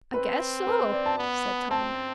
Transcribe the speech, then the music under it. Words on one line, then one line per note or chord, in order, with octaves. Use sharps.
"I guess so," said Tom.
C4 B4
B4
D5
A5
B3
C4 A5